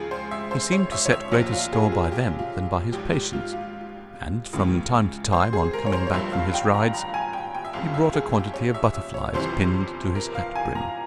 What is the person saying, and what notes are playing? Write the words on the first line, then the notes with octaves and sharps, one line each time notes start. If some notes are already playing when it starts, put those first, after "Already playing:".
He seemed to set greater store by them than by his patients, and, from time to time, on coming back from his rides, he brought a quantity of butterflies pinned to his hat brim.
Already playing: C#2 C#3 F3 G#4
C5
E5
C5
C#5
E5
C#5
E5
A#1 A#2 F3 C#5
F4
G#4
G#4
G4
F4
G#1 G#2 F3 G4
G4
F4
F4
C#2 C#3 E3
C5
G#4
A#4
C#5
C5
C#5
G1 G2 F3 E5
F5
G5
A#5
A#5
G#5
G5
G5
E5
G1 F2 C#3 F5
F5
E5
G#4
G4
C#5
E5
E5
C#5
G1 F2 C3 E3 C5
A#4
F5
G#5
A#5